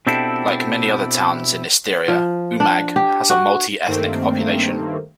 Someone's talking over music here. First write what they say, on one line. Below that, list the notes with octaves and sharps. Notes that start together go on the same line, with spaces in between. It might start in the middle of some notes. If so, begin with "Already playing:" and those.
Like many other towns in Istria, Umag has a multi-ethnic population.
B2 C4 D4 E4 G4 A4
F3
D4
G4
F#4
G2 D#3 A3 A#3 C4